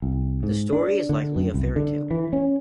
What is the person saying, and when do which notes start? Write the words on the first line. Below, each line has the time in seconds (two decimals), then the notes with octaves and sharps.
The story is likely a fairy tale.
0.02 C2
0.43 G#2
0.73 D4
1.09 D3
1.36 F#2
1.54 C2
1.76 D3
2.11 E3
2.33 C#4